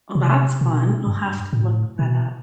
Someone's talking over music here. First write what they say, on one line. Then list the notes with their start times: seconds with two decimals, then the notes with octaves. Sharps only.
Oh, that's fun, I'll have to look that up.
0.15 C3
0.61 B2
1.07 G2
1.53 A2
1.99 B2